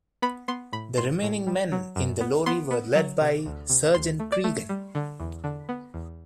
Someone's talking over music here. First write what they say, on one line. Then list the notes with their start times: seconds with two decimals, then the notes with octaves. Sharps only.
The remaining men in the lorry were led by Sergeant Creegan.
0.22 B3 B5
0.48 B3 C6
0.72 A2 B5
0.97 A2 C6
1.22 A2
1.47 G3
1.72 F#3
1.96 F#2
2.21 B3
2.46 B3 C6
2.71 B3
2.95 F#3
3.21 C3
3.46 D2
3.70 C3
3.94 D2 C6
4.19 A3
4.32 D5
4.44 A3
4.69 G3
4.95 D3
5.20 E2
5.44 D3
5.69 B3
5.94 E2